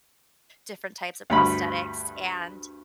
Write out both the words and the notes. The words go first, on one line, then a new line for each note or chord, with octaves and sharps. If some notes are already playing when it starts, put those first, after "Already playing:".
different types of prosthetics and,
D2 G2 B5